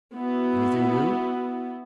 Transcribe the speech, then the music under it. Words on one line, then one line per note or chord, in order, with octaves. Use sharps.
"Anything new?"
B3 E4 F#4